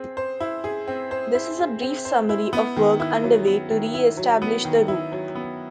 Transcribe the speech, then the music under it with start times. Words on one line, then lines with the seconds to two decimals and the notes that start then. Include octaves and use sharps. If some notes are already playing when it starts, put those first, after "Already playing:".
This is a brief summary of work underway to reestablish the route.
Already playing: C4 G#4
0.17 C5
0.40 E4
0.64 G#4
0.88 C4
1.11 C5
1.35 E4
1.59 G#4
1.82 C4
2.05 C5
2.29 E4
2.53 B3
2.76 D#3
3.00 E4
3.23 F#3
3.47 B3
3.71 D#3
3.94 E4
4.17 F#3
4.42 B3
4.65 D#3
4.88 E4
5.12 F#3
5.35 B3